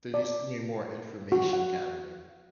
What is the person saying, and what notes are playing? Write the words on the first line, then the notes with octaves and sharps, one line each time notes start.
Did you send me more information gathering.
D5
F#4
F#5